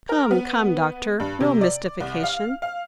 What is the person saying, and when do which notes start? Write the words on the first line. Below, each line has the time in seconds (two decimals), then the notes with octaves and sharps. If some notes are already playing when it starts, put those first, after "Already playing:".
"Come, come, Doctor, no mystification."
0.09 A#4
0.31 B3
1.20 G2
1.40 C3
1.61 D5
2.00 C2
2.23 F5
2.62 F5